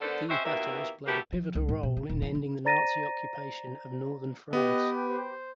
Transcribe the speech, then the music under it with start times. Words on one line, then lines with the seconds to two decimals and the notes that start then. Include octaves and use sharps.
These battles played a pivotal role in ending the Nazi occupation of Northern France.
0.01 D3 B3 D4 A4 A#4 C5
0.29 C4 C#4 F#4 C5 D#5 E5
0.45 D#2 B2 E3 A#3 E5
1.06 B2 A3 A#3 E4 F#4 G4
1.33 F3
1.55 C#2
1.69 G#2
1.83 B2
1.97 D3
2.09 D#1
2.22 E3
2.35 C#3
2.65 C5 D5 A#5 A6 A#6 D#7
4.53 B3 G4 B4 D#5
5.08 C5